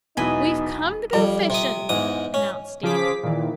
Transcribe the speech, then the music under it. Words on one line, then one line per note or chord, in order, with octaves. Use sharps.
"We've come to go fishing," announced Davy.
E1 B1 E3 D#4 B4 D#5 G#5 D#6
F2 G3
C3 D#6
E2 G#2 D#6
C#4
C#3 F3 G#4 D6 B6
A#2 D#3 E3